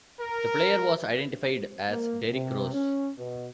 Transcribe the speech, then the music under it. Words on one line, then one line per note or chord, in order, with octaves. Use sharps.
The player was identified as Derrick Rose.
A#4
A#3
C3
C#4
B2